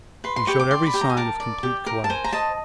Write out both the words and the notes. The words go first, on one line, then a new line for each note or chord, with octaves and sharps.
He showed every sign of complete collapse.
B4 C6
C6
G4 C#6
D6
D5 C6
B5
G4
A#5
G#5
A#4 A5
D5
G4
A#4
A5
C5 G#5
A#5
D#5 A5